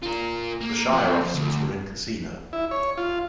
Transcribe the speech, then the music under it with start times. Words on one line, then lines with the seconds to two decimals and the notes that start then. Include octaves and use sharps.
The shire offices were in Casino.
0.03 F4 A#4
0.61 A#3
0.92 F3 F#5
1.07 C4
1.21 F3
1.34 D2
2.53 E4
2.71 C#5
2.98 F4